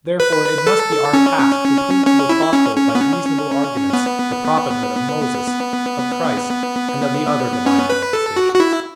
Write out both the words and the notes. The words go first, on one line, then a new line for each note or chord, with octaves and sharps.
Therefore, it must be our task to prove to the thoughtful by reasonable arguments the prophethood of Moses, of Christ and of the other Divine Manifestations.
B4
A4
C#4
C#4
E4
C#4
C#4
B3
C#4
B3
C#4
B4
A4
F#4
F#4
E4